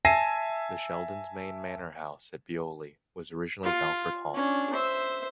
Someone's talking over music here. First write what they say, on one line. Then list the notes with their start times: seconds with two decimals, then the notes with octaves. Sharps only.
The Sheldons' main manor house at Beoley was originally Balford Hall.
0.05 E5 G#5 A5 A#6 C7 D#7
3.64 F4
4.34 C#4 D4
4.73 C5 E5